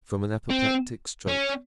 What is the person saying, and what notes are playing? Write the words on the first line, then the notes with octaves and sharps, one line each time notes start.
"From an apoplectic stroke."
C4
C#4